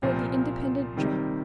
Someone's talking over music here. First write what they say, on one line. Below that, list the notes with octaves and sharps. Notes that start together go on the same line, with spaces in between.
For the Independent Journal.
C2 A#2 F3 C4
C3 D#3 G3